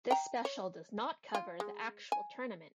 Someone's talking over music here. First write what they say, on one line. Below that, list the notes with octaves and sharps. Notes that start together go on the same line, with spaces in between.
This special does not cover the actual tournament.
G5 A#5
C#5
F4
G#3
G#5